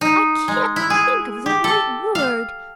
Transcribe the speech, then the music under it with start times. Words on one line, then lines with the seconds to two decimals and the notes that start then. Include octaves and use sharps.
I can't think of the right word.
0.01 D#4
0.48 G#3
0.76 E4
0.90 G#4
1.46 G4
1.64 A4
2.15 F5